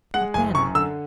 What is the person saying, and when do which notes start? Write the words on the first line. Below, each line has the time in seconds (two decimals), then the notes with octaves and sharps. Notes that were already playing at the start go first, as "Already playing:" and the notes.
"What then?"
0.14 G#3 F#5
0.34 F#1 G#5
0.55 F#2 C#6
0.75 D3 E6